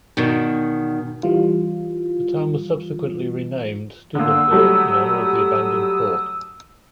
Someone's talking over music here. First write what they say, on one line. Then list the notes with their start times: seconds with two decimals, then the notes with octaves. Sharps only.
The town was subsequently renamed Steubenville, in honor of the abandoned fort.
0.17 E2 B2 D#3
1.23 E3 G3 F4
4.15 D3 A#3 D#6 E6
4.51 F#3 G3 A3